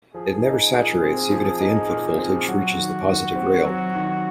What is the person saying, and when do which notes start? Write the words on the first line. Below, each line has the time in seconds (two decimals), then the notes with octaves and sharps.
It never saturates even if the input voltage reaches the positive rail.
0.14 F3 G#4
0.44 D#4
0.73 A#2
1.03 C4
1.31 F3
1.61 D#4
1.90 A#2
2.19 C4
2.48 F#3 F#4
2.77 D#3
3.06 D#3
3.35 C4
3.65 F#3
3.94 D#3